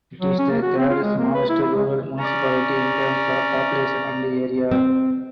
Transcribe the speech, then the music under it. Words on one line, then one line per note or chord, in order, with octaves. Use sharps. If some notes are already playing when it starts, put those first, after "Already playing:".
It is the third smallest rural municipality in terms of population and area.
F#3
C#4
A#3
F#4
C4
F4
G#3
A#3
B4
E4
E4
G#3
C#4 D5 A#5
C4